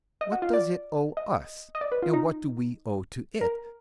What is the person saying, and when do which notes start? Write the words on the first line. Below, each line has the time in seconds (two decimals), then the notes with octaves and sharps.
What does it owe us, and what do we owe to it?
0.21 D#5
0.32 F#4
0.42 F4
0.53 D5
1.17 D#5
1.75 D#5
1.81 D5
1.92 B4
2.02 F4
2.13 D#4
3.41 A#4